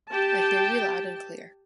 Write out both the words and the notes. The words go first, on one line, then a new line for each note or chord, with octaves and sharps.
I hear you loud and clear.
G4 G5 A5